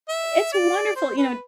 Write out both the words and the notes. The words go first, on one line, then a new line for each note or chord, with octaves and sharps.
It's wonderful, you know,
E5
D5
C5
B4